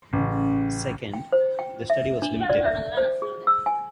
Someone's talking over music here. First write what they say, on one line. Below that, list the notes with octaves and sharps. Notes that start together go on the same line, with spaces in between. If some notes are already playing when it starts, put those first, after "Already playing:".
Second, the study was limited.
A1 C#3
G5
C5
G5
E5
D4
D5
E5
C5
G#4
E6
G#5